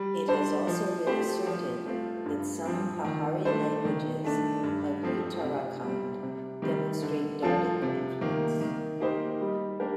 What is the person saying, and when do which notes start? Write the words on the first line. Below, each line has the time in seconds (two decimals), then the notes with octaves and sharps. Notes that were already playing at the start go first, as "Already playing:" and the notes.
It has also been asserted that some Pahari languages of Uttarakhand demonstrate Dardic influence.
Already playing: G3
0.28 D4 A4 C5
0.67 F3
1.06 A3 C4 G4 C5
1.46 F3
1.85 A3 C4 F4
2.26 G2
2.65 F3 C4
3.05 D#3
3.45 A3 D4 A4 C5
3.85 D#3
4.24 A3 D4
4.63 G2
5.03 F3 A3 C4
5.43 C3
5.83 G3 C4
6.23 C3
6.62 D#3 G3 C4
7.02 D3
7.42 F3 C4 F4 A4
7.82 C3
8.21 D#3 A#3
8.61 D#3
9.00 A#3 D#4 G4 C5
9.41 G3
9.80 A#3 D4 G4 A#4